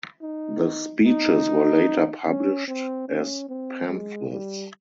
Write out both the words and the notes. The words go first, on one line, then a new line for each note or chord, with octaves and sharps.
The speeches were later published as pamphlets.
D#4
D#4
C#4
C4
C#4
C4
G#3
G3